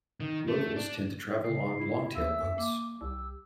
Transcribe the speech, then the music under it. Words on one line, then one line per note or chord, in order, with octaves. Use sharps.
Locals tend to travel on longtail boats.
D#3
A3
D4
C#3 C7
E4
D#2 E5 E6
F#2
A#3 D6
C2 G4 E6